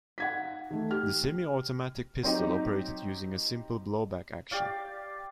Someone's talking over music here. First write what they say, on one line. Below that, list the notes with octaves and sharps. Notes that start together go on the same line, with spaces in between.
The semi-automatic pistol operated using a simple blowback action.
D#4 F5 F#5 G#6 B6
D#3 A3
G4 F6
F#3 C4 D#4 G4
G4 D5 F5